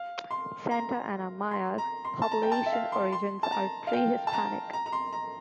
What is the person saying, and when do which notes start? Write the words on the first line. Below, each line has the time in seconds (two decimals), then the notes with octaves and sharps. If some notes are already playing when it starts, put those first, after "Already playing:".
Santa Ana Maya's population origins are pre-Hispanic.
Already playing: F5
0.31 C6
0.71 A#5
1.51 C6
1.78 A#5
2.05 C6
2.22 A5
2.32 A#5
2.43 G5
2.52 A5
2.66 E5
2.73 F5
2.92 C6
3.12 C6
3.43 A5
3.52 A#5
3.87 F5
3.93 G5
4.27 A5
4.33 A#5
4.73 A#5
4.86 A#5
4.92 C6
5.13 A#5